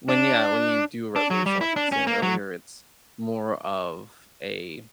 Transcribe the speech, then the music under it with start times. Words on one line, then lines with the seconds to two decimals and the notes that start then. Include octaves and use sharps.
when, yeah, when you do a resolution like I was saying earlier, it's more of a
0.09 D4
1.16 D4
1.31 F#3
1.46 G3
1.61 E4
1.76 D4
1.92 C#4
2.07 A#3
2.22 F#3